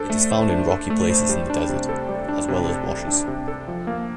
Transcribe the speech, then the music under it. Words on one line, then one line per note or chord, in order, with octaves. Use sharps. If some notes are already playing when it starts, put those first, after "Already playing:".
It is found in rocky places in the desert, as well as washes.
Already playing: D4 A4 C5
A3
C5
D4
A4
A3
C5
G3
D4
C3
A4
G3
D4
C3
A4
G3
D4
C3
A4
F3
A#3